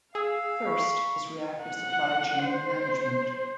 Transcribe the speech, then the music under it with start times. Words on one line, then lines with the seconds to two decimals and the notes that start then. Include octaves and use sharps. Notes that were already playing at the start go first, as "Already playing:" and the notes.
First is reactive supply chain management.
0.15 G#4 F5 E6
0.66 B5 C#6
1.62 F#5
2.44 C5